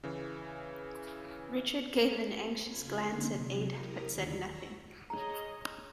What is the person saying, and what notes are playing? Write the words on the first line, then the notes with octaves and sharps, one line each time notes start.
Richard gave an anxious glance at Ada but said nothing.
C#3 E3
C#3 F4 B5 G#6
D3 A#3 C4 C#4 D#4
C3 F#3
E4 G4 A#4 A#5 D#6
D#2 D3 D#3 F4 D5 B5
C#6 E6 A#6
G#4 C#5 D#5 A#5